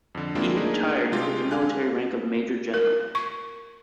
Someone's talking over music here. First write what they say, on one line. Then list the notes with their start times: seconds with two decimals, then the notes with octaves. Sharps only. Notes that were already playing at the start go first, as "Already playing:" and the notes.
He had retired with the military rank of major general.
0.15 F2 D3
0.35 G#3 A#3 C4 D4 E4 F4
0.56 A3 A#3 D4 D#4 G#4
1.12 C3 G#3 A3 C4 F4 G4
1.51 F5 G#5 F#6
2.74 A#4
3.15 C#6